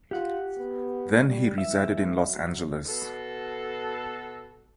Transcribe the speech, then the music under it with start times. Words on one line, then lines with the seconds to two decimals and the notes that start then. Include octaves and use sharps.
Then he resided in Los Angeles.
0.11 F4 G4 F#5
0.57 B3
1.25 G3
1.58 E3 E5
2.27 F#3
2.88 B2 A4